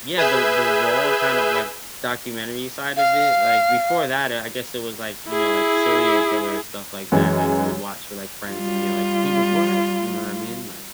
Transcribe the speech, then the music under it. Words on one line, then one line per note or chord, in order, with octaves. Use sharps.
Yeah, the the raw kind of, like, documentary side of it, like, before that, I I guess it was, like, you know, like, serial killer stuff like that, like, you would watch with, like, friends and being like, w “He did what?” you know what I mean?
G#4 B4 E5 G#5 E6 G6
F5
E4 G#4
F#2 E3 G#3
G3 F4